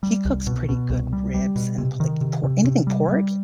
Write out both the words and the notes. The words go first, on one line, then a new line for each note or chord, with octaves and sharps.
He cooks pretty good ribs and p like, por anything pork.
G3
C2
B2
B2
C2
G3
G3
B2
C3
D#3
C3
C3
C3
G3
G3